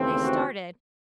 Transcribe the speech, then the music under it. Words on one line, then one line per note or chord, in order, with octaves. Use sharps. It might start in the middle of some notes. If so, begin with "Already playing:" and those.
They started.
Already playing: D#2 C#3 E3 A3 C4
F#4